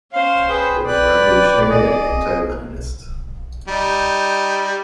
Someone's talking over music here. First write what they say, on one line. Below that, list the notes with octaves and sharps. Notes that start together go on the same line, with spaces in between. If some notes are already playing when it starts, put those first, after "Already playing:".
It was revolutionary and anti-Leninist.
C#4 C5 F5
G#4 B4 G5
B4 D5 G5 F#6
G#4 D#5
G3 D#4